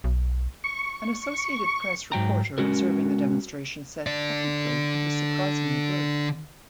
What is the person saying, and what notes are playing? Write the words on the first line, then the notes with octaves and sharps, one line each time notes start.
An Associated Press reporter observing the demonstration said, Technically, it was surprisingly good.
B1
C#6
G#2 F#3 G5 A#5
G#3 C#4 F#4 A#4
D3 D5